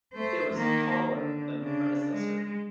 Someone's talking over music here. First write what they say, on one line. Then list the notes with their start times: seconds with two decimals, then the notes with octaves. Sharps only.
It was taller than the predecessor.
0.13 A3 C5
0.54 D#3 A#3
1.11 D3
1.61 C#3 D4
2.11 G#3